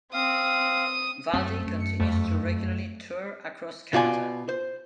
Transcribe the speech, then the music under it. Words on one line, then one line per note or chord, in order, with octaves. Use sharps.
Valdy continues to regularly tour across Canada.
C4 F5 D#6
F#2 A3 C4
F#2
C#7
F2 A3
B2 F4 D5 G#5
C5